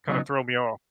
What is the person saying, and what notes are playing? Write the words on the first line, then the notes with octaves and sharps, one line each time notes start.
kinda throw me off.
C#3 F#3 B3 D#4